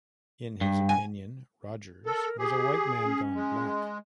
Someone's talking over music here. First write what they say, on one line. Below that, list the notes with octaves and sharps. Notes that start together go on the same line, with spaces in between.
In his opinion Rodgers was a "white man gone black".
G2
G#5
A4 A#4
G4 G#4
C#4
G#3